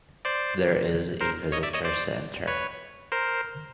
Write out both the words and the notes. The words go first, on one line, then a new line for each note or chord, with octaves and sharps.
There is a Visitor Center.
C5 D5
A#4 C5
C#5 D#5
D5 E5
C#5 D#5
C5 D5
B4 C#5
A#4 C5